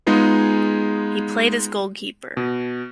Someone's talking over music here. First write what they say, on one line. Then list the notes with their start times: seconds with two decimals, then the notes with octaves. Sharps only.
He played as goalkeeper.
0.07 G#3 B3 D#4 F4 G#4
2.37 B2